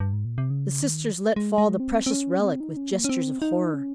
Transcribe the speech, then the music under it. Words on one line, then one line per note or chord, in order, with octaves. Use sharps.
The sisters let fall the precious relic with gestures of horror.
G2
G#2
A#2
C3
C#3
D#3
G#3
G#3
C4
C4
C#4
A#3
C4
D#4
C#4
A#3
C#4
C4
D#4
C#4